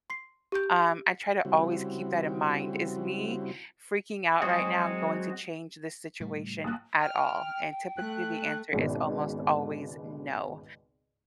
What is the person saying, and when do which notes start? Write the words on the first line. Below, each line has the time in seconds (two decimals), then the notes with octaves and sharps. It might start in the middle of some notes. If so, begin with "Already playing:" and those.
um, I try to always keep that in mind, "Is me freaking out right now going to change this situation at all?" And typically, the answer is almost always, "No,"
0.10 C6 C7
0.52 G4 G6
1.45 C#3 G3 C4 E4 F#4
4.42 F#3 G#3 C4 F#4 G#4
6.20 A2 C#3 G3
6.64 A#1 F#6
7.01 G5 F6
7.97 A3 F#6
8.73 G#1 C#2 B2 G#3